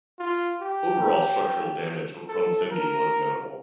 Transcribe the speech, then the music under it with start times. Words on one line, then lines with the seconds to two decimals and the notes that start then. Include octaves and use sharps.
Overall structural damage from Cindy was minimal.
0.19 F4
0.62 G4
2.28 A4
2.71 A#4